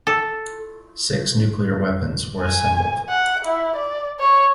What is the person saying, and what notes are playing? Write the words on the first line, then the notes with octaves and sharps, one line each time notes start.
Six nuclear weapons were assembled.
A4
G#5
F#5
E4
D5
C#5